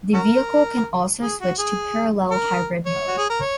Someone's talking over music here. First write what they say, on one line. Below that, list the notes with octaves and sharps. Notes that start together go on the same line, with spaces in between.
The vehicle can also switch to parallel hybrid mode.
C#4 F#4 A#4
G#4
F#4
G#4
A#4
C#5
F#4
G#4
A#4
C#5